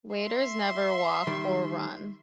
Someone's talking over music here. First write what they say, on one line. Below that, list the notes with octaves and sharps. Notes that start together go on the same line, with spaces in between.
Waiters never walk or run.
E5 C6
D#3 G3